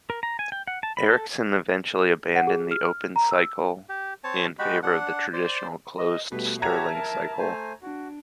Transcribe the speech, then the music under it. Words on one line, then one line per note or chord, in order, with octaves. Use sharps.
Ericsson eventually abandoned the open cycle in favor of the traditional closed Stirling cycle.
A#4
A#5
G#5
G5
F#5
A5
B5
A4
F#5
G#4
F6
A#5
E6
G4
C4 C#5 A5
G#3 F#4 G4 B5
D4 F#5
C5 D5
D#5
B2 G3 A3 B4
F#4 G4 C#5 E5 A5 A#5 G#6
A#4
A3 C5 G#5
D4 F#4